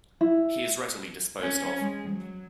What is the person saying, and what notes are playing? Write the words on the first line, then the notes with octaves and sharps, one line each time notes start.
He is readily disposed of.
E4
C#4
G#3
F#3